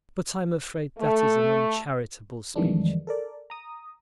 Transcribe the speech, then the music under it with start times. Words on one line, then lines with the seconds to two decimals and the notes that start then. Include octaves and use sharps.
But I'm afraid that is an uncharitable speech.
0.99 A3
2.56 F2 D#3 E3 G3 G#3 D4
3.07 A4 A#4 D5
3.50 A#5 D#6